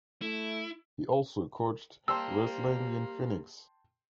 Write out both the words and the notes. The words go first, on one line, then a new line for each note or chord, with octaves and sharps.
He also coached wrestling in Phoenix.
A3 E4
G3 A#3 C5 G5 A5 C6 E6